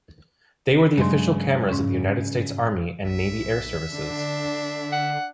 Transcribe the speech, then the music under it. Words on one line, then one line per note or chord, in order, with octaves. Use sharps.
They were the official cameras of the United States Army and Navy Air Services.
G2 C#3 F#3 G#3 C6
G#2 C#4
B1 E5
D3 D4
F#5